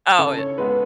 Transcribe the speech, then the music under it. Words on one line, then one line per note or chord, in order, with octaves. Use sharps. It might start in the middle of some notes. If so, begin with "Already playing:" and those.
Oh, i
C#3 A4
C#5
G#3 B3 B4